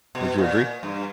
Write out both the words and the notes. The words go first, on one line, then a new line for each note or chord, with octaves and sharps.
Would you agree?
B2
A#2
G2